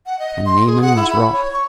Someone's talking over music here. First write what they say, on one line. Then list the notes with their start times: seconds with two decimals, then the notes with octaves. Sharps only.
And Naaman was wroth....
0.06 F#5
0.19 D#5
0.46 C6
0.67 G#4
0.82 F#5
0.96 E4
1.11 B5
1.32 C#5
1.53 C#6